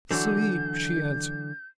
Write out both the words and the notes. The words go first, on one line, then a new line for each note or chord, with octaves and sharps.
"Sleep!" she answered.
D3 E3 F#3 G6